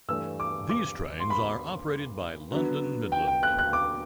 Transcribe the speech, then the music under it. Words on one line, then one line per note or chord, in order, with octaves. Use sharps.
These trains are operated by London Midland.
G2 E3 A3 D4 E6
D6
D6
C6
B5
D3 F#3 B3
G5
G5
F#6
F#6
D6